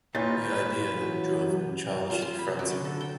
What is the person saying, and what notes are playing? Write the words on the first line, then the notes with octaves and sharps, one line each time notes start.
The idea drove him childishly frantic.
A#2 B4 C#5 G6 A6
E3 F#3
F4
C6
B5
F#3
D3
A4
G5